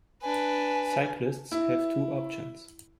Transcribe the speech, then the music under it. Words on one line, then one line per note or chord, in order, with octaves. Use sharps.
Cyclists have two options.
D4 B4 G#5
E4